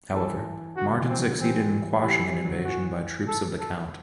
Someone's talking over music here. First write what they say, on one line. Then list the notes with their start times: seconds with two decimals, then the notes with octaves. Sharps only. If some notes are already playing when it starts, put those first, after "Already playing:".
However, Martin succeeded in quashing an invasion by troops of the count.
0.14 E3 A4
0.77 D3 F#4
0.98 E3
1.09 C4
1.18 D3 F#3
1.40 E3 G3 C4
2.02 E3 G3 E4
2.24 E3 G3
2.44 D3 F#3
2.64 E3 F#4
3.28 A4
3.60 A4